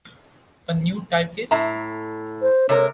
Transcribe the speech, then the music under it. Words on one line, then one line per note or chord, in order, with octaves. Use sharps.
A New Typeface?
A2 E5 A#5
C5
C3 G#3 A#4 C#5